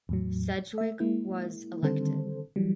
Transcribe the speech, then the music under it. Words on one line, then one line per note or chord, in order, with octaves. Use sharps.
Sedgwick was elected.
E2 A2 F#3
A3 E5
G#3 A#3 E4
D3 D#3 G3 C4 A4 C5
E3 F#3 G3